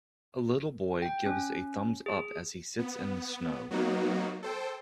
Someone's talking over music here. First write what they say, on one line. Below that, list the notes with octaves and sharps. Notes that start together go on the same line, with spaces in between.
A little boy gives a thumbs up as he sits in the snow.
G5
C#4
G#4
B3
F#3 A#3 B3 D#4 F#4
A4 C5 G5